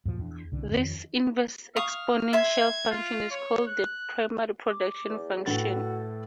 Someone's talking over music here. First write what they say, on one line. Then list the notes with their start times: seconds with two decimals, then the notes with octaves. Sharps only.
This inverse exponential function is called the primary production function.
0.05 F#2 A#2 F3
0.19 E2 D4
0.52 C2 D3 C#4
0.71 F2 D#3 A#3 C#4
1.76 F5 C#6 D#6 F6
2.33 E5 C6 G#6
2.91 F4
3.31 C#5
3.67 F#6
4.66 D6
5.09 E2
5.46 A2 F#4 A4 B4 A6